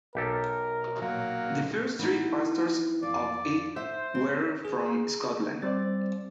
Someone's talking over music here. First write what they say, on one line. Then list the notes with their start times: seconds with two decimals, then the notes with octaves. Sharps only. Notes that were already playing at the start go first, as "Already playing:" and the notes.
The first three pastors of it were from Scotland.
0.15 B1 G4 A4 A#4
1.02 A#2 F#3 F5
1.99 E3 B3 D#4
3.03 F2 D5
3.76 C5 E5
4.15 C4
4.65 G#4
5.62 G3 C4 C5 D5 A6